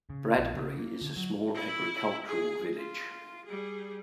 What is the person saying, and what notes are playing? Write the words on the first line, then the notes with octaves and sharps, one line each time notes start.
Bradbury is a small agricultural village.
C#3
A#1
C#3
A#3
D3
F#3
E4
G#4
F4
G3 G#4